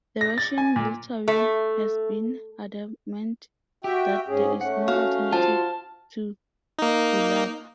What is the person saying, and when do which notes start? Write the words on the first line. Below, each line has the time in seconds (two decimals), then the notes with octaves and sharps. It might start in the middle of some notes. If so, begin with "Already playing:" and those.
The Russian military has been adamant that there is no alternative to Bulava.
0.21 A#6
0.38 A6
0.58 G#5
0.76 A#2
1.28 A3
3.84 F#4 G4 E5 G5
4.28 G#2 C#4 G#4
4.61 A3 C#4 F#5
4.88 F#4 F5
5.32 F4 F#4 C5 A5
6.79 A#3 D#4